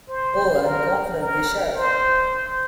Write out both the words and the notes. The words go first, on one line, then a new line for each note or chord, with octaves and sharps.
Oh, I am confident we shall.
C5
A#4
A#4
C5